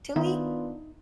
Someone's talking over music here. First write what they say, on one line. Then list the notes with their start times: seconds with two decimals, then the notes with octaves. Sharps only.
to me
0.16 D#3 B3 D4 D#4 F4 E5